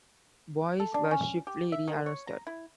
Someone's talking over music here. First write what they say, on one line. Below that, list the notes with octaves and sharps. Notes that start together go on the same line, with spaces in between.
Boyce was swiftly rearrested.
A4
D4
C#4
G4
E5
D#3
C#5
A#5
E4